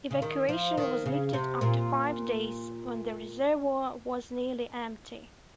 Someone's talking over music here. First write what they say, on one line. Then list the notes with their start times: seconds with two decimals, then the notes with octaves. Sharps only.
Evacuation was lifted after five days when the reservoir was nearly empty.
0.11 C#3
0.22 D#3
0.49 F3
0.77 D#3
1.06 C#3
1.33 C3
1.61 A#2